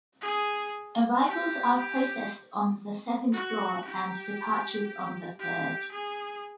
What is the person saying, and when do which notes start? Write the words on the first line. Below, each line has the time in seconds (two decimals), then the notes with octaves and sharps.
Arrivals are processed on the second floor, and departures on the third.
0.21 G#4
1.25 G4
1.77 G4
3.32 F#4
3.85 G4
5.40 G4
5.91 G#4